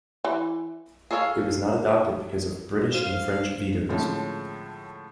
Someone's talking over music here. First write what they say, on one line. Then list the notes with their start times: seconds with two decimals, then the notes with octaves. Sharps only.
It was not adopted because of British and French vetoes.
0.24 E3
1.11 G#4 A4 C#5 E5 F5
2.94 C5 F5
3.89 A2 D3 F3 G#3 C4 C#4